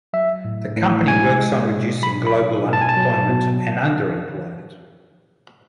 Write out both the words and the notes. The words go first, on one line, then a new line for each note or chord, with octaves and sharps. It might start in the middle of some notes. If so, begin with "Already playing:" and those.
The company works on reducing global unemployment and underemployment.
F#3 E5
A2
A2
G#3 G#5
G#3
B2
F#3 B5
B5
B2
B2
A5
G#5
A5
F#3
B2